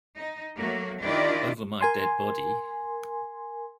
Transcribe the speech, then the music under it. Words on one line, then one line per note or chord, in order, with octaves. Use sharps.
Over my dead body.
D#4
F#3 A3 A#3 F#4
D#3 D4 E4 F4 G4 D5
A#4 G#5 C6